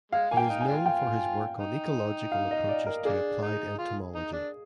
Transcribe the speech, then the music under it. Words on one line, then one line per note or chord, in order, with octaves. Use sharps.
He is known for his work on ecological approaches to applied entomology.
G#3 F5
A#3 G#5
G5
D#4
G#5
G#3 D4 F4
G5
D#4
F5
D#5
D5
A#4
A#3 D4 G#4
D#4
F4
D#4
D4